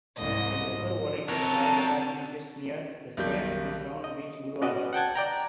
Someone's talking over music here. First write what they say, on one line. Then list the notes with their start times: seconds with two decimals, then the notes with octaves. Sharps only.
The local volunteer fire department sits near the square on Sound Beach Boulevard.
0.18 C2 G#2 D#5
1.29 C3 A#4 C#5 A5
3.17 B1 D#3 G3 G6
4.04 D#5
4.62 C#4 F#4 B4 D5 D#5
4.93 F#5 G5 A5 G#6
5.16 D5 G5 A#5